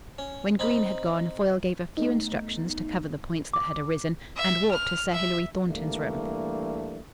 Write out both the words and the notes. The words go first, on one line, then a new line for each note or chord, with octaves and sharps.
When Green had gone, Foyle gave a few instructions to cover the points that had arisen, and walked to Sir Hilary Thornton's room.
C#4
C4 D#4 B5
A3 B3 D#4
D6
E5
F6
E5
E3 G3 A3 A#3 D4